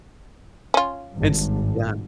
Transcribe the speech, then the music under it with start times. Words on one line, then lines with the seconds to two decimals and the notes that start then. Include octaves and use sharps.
It's yeah.
0.74 C#4 F4
1.13 G#1 G2